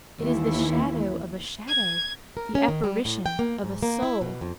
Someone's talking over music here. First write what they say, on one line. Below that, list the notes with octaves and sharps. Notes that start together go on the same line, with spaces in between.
It is the shadow of a shadow, the apparition of a soul!
D#2 E3 E4
G#6
A#4
C#4
D#3
G3
A2
G5
A#3
G#2
A#3
E4
B2
F2